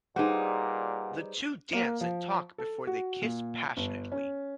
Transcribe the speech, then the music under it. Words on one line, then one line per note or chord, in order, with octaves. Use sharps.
The two dance and talk before they kiss passionately.
A#2 G3 D#4 G#4 B4 C5 F#5
A#3
F3
A4
F#4
A#2
G1
C#4